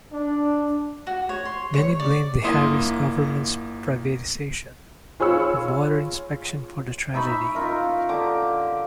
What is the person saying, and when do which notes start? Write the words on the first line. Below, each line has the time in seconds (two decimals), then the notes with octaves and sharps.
Many blamed the Harris government's privatization of water inspection for the tragedy.
0.12 D4
1.07 F#4
1.29 C#5
1.45 C6
1.74 C#5
2.00 D5
2.44 G1 A#3 E4 C6 D#6
5.20 F4 G#4 C#5 B5 E6 C#7
7.14 D#4 E5 B5 C#6
7.55 D#4 F4 A#4 E5
8.09 D3 G4 D6